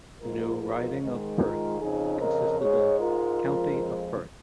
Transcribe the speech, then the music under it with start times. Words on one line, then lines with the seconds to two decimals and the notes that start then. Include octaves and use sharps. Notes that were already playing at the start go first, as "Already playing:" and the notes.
The new riding of Perth consisted of County of Perth.
0.21 G#2 F3 G#3 F4 A#4
0.61 F4 A#4
1.01 G#2 D#3 G#3
1.40 F4 A#4
1.80 F2 C#3 F3 D#4 G#4
2.20 A#4 D#5
2.60 G#2 G#3 G#4 C#5
3.00 F4 A#4
3.41 F2 F3 G#3